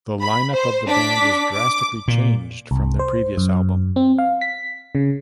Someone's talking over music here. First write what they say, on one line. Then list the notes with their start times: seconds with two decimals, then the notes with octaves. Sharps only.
The line-up of the band was drastically changed from their previous album.
0.22 B5
0.53 C5
0.87 D4 D6 B6
1.52 D6
2.08 A#2
2.71 C2
2.99 C5
3.37 F#2
3.96 C4
4.18 F5
4.41 B6
4.95 C#3